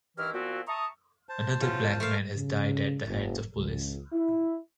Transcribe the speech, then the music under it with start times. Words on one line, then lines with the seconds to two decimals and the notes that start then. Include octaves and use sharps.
Another Black man has died at the hands of police.
0.17 G2 D#3 E3 E4 F6
0.33 A#2 F3 B3 C4 E4 F#4
0.68 E5 A5 A#5 C#6 D#6
1.29 C5 A5
1.61 E2 C#4 F4
2.00 A3 A#4 F5
2.36 C#3
3.06 F#1
3.57 C#2
4.13 E4